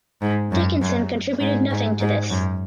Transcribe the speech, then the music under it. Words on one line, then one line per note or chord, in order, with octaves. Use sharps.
Dickinson contributed nothing to this.
G#2
F#2
F#2
G#2
G#2
G#2
F#2